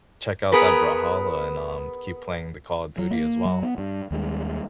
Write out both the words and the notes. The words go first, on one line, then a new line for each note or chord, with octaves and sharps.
check out that Brawlhalla and, um, keep playing the Call of Duty as well.
B3 G#4 A#4 B4
F#3
A#3
F#3
B3
G2
D#2 G3 G#3